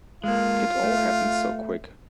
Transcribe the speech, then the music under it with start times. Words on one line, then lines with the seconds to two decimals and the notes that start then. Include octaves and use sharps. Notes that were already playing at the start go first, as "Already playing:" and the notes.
It all happened so quick.
0.24 G#3 A#3 F4
0.83 A3